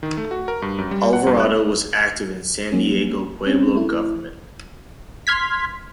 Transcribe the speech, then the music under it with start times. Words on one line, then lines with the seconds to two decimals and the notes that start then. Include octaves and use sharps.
Alvarado was active in San Diego Pueblo government.
0.03 D#3
0.17 A3
0.31 F#4
0.48 A#4
0.62 G2
0.78 F#2
0.91 G3
1.13 F#5
1.27 G2
1.40 F#6
2.72 F#3 A#3 C#4
3.46 C4 C#4
3.75 A3 E4
5.27 C6 F6 G#6 B6